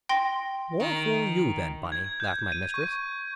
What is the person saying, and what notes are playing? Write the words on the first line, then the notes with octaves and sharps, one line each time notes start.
"More fool you, then, Bunny," laughed my mistress.
G5 C6 A#6
D#3
G#6
G6
D#7
C#6